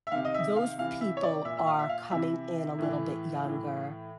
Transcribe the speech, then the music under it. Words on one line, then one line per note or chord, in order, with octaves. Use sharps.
those people are coming in a little bit younger,
E5
C3 D#3 F5
D#5
E5
F5
C3 E3 F5
E5
C#5
D5
A#2 E5
E5
F5
E5
F5
C3 E3 E5
A2 E3
A2 E3